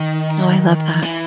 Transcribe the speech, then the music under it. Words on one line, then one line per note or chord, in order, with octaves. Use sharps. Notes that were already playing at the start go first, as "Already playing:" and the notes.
Oh, I love that.
Already playing: D#3
E3